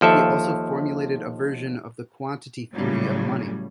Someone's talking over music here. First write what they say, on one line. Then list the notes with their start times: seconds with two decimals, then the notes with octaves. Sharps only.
He also formulated a version of the quantity theory of money.
0.01 D#2 F3 A4 E5
2.74 A2 C#3 F#3 G3 C#4